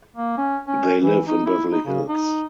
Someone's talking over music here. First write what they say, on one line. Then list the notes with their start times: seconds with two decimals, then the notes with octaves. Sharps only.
They live in Beverly Hills.
0.16 A#3
0.38 C#4
0.67 C#4
1.02 E3
1.28 D#4
1.46 E4
1.72 D#4
1.86 C#3
2.09 D#4